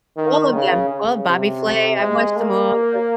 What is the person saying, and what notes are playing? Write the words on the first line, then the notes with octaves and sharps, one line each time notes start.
All of them, all of Bobby Flay, I've watched them all, I
D#3
C#3
C#3
C3
G#3
A#3